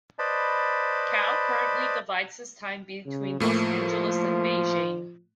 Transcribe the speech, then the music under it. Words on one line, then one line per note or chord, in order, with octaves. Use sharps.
Kao currently divides his time between Los Angeles and Beijing.
B4 C5 D5 D#5 A5 B5
C#3
A2 F3 A3 A#3